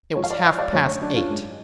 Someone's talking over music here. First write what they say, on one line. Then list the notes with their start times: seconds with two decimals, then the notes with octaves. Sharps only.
It was half-past eight.
0.16 G#2 F3 G#3 C#5
0.24 F5
0.30 D5
0.44 F5
0.59 D5
0.73 F#2 D3 F#3 A3 C#5
0.87 C#5
1.02 D4
1.16 F4
1.29 G#2 G#3